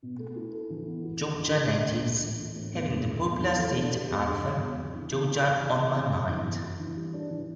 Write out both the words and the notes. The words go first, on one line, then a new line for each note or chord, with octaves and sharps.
Georgia natives having the popular state anthem Georgia on My Mind.
B2
A3
E4
A4
E3
B3
E4
A4
D2
D3
A3
D2
A2
E3
A3
A2
E2
D3
A3
E2
E3
A3
D4
G4
E2
D3
F#3
E2
C3
E3
B3
D4
C3
E3
A3
C3
C3
E3
B3
E4
E3
G3
D4
E3